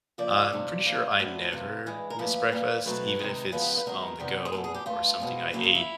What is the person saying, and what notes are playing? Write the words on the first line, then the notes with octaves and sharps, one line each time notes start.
I'm pretty sure I never miss breakfast, even if it's on the go or something I ate
F2 C#3 F3 A#3 D5
C3 F3 A3
A2 F3 A#3
A2 F#3 A3 C4
F2 C3 E3 A3
G2 E3 G#3
A#4
A#2 F3 A3 B4
A#2 G3 A#3
B2 F#3 A3 C4 B4
C3 D#3 G#3
C#3 F3 G#3 B3 B4
B4
F#2 D#3 G#3 B3 A#4
E2 C3 D#3 G3 B3
G#4
E2 B2 F#3 A4
G#4
G4
G2 E3 A3 F4
B2 G#3 C4
F2 C#3 F#3 A#3 E4
F4
E4